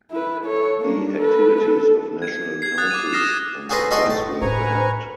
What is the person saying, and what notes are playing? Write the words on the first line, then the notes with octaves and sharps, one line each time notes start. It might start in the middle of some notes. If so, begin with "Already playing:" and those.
The activities of national councils and the press were banned.
E4 B4
A4 C#5
A#3 D4
A4 B4
A4
G#6
G#6 C7
D#6 F#6 A6
D6 D#7
D#6 F6 A#6 C7 E7
F#4 G#4 A4 B4 C5 A#5
F#4 A4 C#5 D#5 F#5 C6
A2 A5
A2 A3 B4 C5 G#5 A#5 C#6